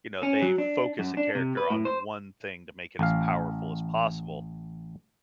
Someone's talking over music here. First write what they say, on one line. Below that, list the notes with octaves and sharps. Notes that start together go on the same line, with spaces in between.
you know, they focus a character on one thing to make it as powerful as possible,
C#4
F#3
D4
F#2
D4
C3
B4
A2
C5
A1 F5